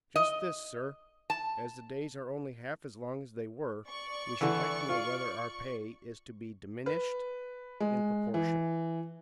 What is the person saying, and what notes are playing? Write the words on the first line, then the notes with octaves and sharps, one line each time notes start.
"Just this, sir; as the days are only half as long as they were, we should like to know whether our pay is to be diminished in proportion."
D#5
A5
D5 C#6
D3 E3
F4
B4
G#3
E3